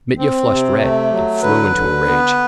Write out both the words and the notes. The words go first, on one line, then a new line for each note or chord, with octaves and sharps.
Mitya flushed red and flew into a rage.
C4
C3
A3
F#3
D3 B4
D3
B3